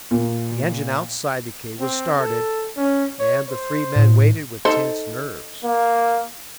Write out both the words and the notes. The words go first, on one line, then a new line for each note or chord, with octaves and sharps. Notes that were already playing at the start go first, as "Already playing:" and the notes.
The engine outside the cave was started, and the three men waited with tense nerves.
A#2
C4
A4
C#4
C#5
C5
A2
D#4 A4 C5
A#3